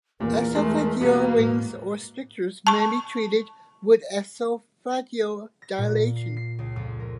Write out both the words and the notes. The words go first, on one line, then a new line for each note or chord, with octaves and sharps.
Esophageal rings or strictures may be treated with esophageal dilation.
E2 A#2 A#4
G#3 A3
B2 G3 A#3 B3
A2 G#3
A5 C#6
A#6
A#2
C7
C7
C#2
F2
A#4